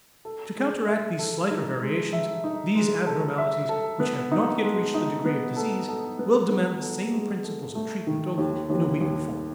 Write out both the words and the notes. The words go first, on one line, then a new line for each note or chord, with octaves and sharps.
To counteract these slighter variations, these abnormalities which have not yet reached the degree of disease, will demand the same principles of treatment, only in a weaker form.
A4
G#3
E5
A4
D#4
G#3
E5
D#4
G#3
A4
E5
A4
B3
D#4
G#3
D#4
B3
A4
A4
B3
B3
A4
G#3
A4
A3
D#3
D#2
D#2
D#2